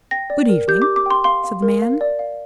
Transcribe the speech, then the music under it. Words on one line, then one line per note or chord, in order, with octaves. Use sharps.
"Good-evening," said the man.
G5 A#6
D5
A#4
G4 G6
D6
G4
D6
G5 C6
F5 C6
F5
A#4
F5
D5
F5